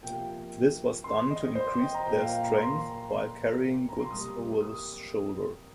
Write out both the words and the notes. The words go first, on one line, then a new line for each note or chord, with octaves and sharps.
This was done to increase their strength while carrying goods over the shoulder.
C3 F3 A#3 G5
C6
D#5
C5
D#5
G5
A#5
A#2 A#3 G5
F5
G5
A#5
C6
A#5
C6
C3 G3 A#3 D#6
D#6